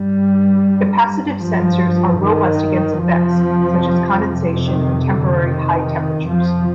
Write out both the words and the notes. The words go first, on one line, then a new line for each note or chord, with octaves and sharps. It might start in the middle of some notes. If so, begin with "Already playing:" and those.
Capacitive sensors are robust against effects such as condensation and temporary high temperatures.
Already playing: G2 G3
F3
D#3
F2 C3 F3
D#3
D3
D#3
F2 C3 F3